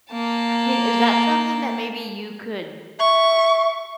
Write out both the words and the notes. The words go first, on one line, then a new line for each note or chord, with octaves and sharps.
I mean, is that something that maybe you could
A#3 A5
E5 C#6